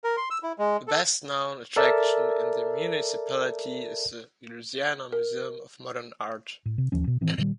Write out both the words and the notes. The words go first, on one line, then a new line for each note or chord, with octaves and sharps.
The best known attraction in the municipality is the Louisiana Museum of Modern Art.
A#4
C6
E6
E4
G#3
A4
A4 A#4 D5 E5 A5
A#4
A2
C3
D1 D#2 F3 C#4
B2
A2 D#3 E3 C4
A#2 D#3 F#3 G3